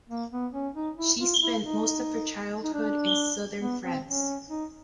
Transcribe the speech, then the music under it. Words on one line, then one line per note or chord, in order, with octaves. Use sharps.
She spent most of her childhood in southern France.
A#3
B3
C#4
D#4
E4
F4
E4
D#4
D#4
D4
B3
C4
C#4
D#4